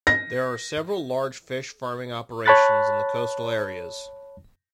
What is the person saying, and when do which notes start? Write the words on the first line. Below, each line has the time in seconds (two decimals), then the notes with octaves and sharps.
There are several large fish farming operations in the coastal areas.
0.07 A#6
2.46 C#5 A5 B5 F#6 A6